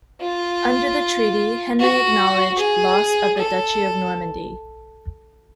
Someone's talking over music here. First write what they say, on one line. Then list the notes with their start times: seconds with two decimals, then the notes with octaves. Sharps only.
Under the Treaty, Henry acknowledged loss of the Duchy of Normandy.
0.21 F4
1.79 F#4
2.58 G#4
3.37 A4